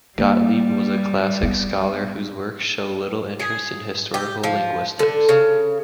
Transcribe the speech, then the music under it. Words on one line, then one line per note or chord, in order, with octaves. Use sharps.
Gottlieb was a classics scholar whose works show little interest in historical linguistics.
G3 A#3
B3
G#4
G4
F3
D3
C#3